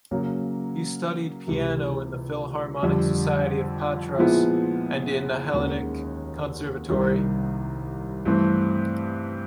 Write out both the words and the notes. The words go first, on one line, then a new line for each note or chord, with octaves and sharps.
He studied piano in the Philharmonic Society of Patras and in the Hellenic Conservatory.
C#3 F#3 A#3
C#2 C3 E3
F2 D3 G3
A#2 F3 G#3 B3 E4
D#2 D#3 G#3 C#4 F#4
C2 C3 D#3 G3
G2 E3 A3 C4